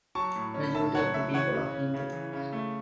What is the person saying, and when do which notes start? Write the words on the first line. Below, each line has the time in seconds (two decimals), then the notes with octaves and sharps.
Majority of the people are Hindu.
0.15 F#3 A5 C#6
0.36 A2
0.54 C#4
0.63 B5
0.75 A2 E5 A5
0.94 F#3 C#5 F#5
1.14 A2 E5
1.34 E3 C#5 F#5
1.53 C#3
1.74 C#4
1.94 C#3
2.12 E3
2.33 C#3
2.52 A3